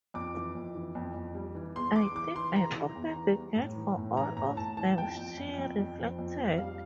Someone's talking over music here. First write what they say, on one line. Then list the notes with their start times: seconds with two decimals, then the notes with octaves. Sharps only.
"I think I opened the gate for all of them," she reflected.
0.14 F2 D6
0.34 E3
0.55 F2
0.75 E3
0.95 F2
1.14 F2
1.35 G3
1.55 E3
1.76 E2 C6
1.95 E3 D6
2.15 E3 D6
2.36 E3 C6
2.56 E3 A#5
2.76 E3
2.96 E2
3.16 E3
3.37 G3
3.56 A2
3.76 E3
3.97 A2
4.17 E3 A#5
4.36 A2 A#5
4.57 A2 A5
4.77 E3 A5
4.97 F2 G5
5.17 F2
5.38 F2
5.58 F2
5.78 F2
5.99 F3
6.19 F2
6.38 F2
6.58 G3 F5